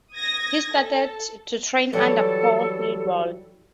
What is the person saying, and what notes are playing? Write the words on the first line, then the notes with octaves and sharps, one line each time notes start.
He started to train under Po Lindwall.
D#6 G#6 A#6
A4
E3 F#3 G3 A4